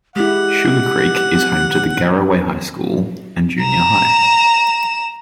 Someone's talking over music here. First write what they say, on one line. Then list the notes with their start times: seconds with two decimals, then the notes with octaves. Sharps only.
Sugarcreek is home to the Garaway High School and Junior High.
0.16 G#3 E4 G4 F#5
3.61 A#5 E7